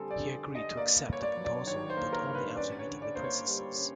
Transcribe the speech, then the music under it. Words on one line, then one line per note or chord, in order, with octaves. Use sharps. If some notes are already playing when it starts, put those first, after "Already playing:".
He agreed to accept the proposal, but only after meeting the princesses.
Already playing: D3 G3 C4 G#4 A4
D5
D3
D3
D#5
A#3 D5
G2
C#5
D5
F#3
D5
D#3 C#5
C5
A#3
A#4
G2
B4
C#4 D5
C#5
D3
D5
A#3 C5
C#5
G3
C#4